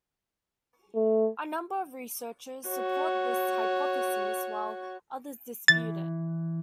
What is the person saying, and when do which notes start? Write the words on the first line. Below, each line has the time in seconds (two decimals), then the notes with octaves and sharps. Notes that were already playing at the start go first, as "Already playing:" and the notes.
A number of researchers support this hypothesis while others dispute it.
0.95 A3
2.68 F#4 C#5
5.68 E3 A6